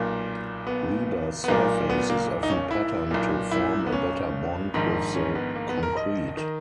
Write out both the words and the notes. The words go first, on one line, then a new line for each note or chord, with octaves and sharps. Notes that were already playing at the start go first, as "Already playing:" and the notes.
Rebar's surface is often patterned to form a better bond with the concrete.
Already playing: B1 A#2 A#3
B3
B3
B1 A#2 A#3
B3
A#3
D#4
C#4
E4
B1 A#2
E4
B3
C#4
A#1 G#2 D#3
C#4
B3
A#3
B3
A#4
D#5
D#3